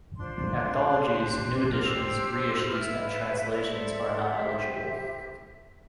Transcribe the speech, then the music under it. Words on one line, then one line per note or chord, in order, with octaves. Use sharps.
Anthologies, new editions, re-issues and translations are not eligible.
D4 F4 C5 C6
D4 G4 C5
F6
D4 G4 C5 E6
E4 B4 F6
E6
F5
E5
E5
E4 A4 C5 D5
D5
D5
E4 G4 C5 E5